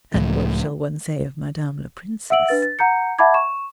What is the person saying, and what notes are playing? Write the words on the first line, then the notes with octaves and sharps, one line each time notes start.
"And what shall one say of madame la princesse?"
C#2 A2 F3
E5 F#5 E6 D7 F#7
D4 B4 A6
A6
F#5 A#5 G6 C#7
E5 F#5 A5 B5 D6 G#6
C#6 E7